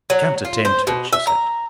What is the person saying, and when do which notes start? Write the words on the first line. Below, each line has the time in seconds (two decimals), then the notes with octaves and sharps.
"I can't attend to it," she said.
0.10 F#3
0.45 F4
0.65 C5
0.87 B2
1.13 E5
1.27 A#5